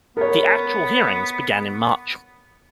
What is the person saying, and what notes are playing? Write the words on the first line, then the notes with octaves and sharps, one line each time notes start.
The actual hearings began in March.
B3 A#4 C#5